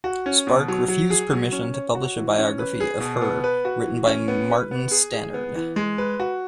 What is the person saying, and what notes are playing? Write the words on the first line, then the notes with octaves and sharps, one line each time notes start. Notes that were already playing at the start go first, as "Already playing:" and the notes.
Spark refused permission to publish a biography of her written by Martin Stannard.
F#4
C#4
B2
F#3
F#3
G#4
F#3
C#4
C#5
F#4
E3
C#4
B4
G#4
B2
B3
B4
F#4
E3
C#4
B3
B4
B3
G#4
G#4
B3
E3
G#3
B4
F#4